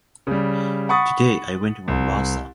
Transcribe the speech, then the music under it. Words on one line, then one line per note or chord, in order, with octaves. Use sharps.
Today I went to Mombasa.
C#3 G3
F#5 B5 C#6 D#6 A6
C2